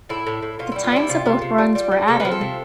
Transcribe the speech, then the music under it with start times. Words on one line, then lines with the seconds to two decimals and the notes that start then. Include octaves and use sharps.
The times of both runs were added.
0.09 A2 E4
0.27 A2
0.42 A2
0.59 B2 F4
0.72 G3 E4
0.84 F4
0.92 G3 E4
1.09 C3 F4
1.26 C3
1.41 C3
1.58 G3
1.75 G3
1.91 G3
2.08 C3 A4
2.20 F3 B4
2.31 A4
2.41 C3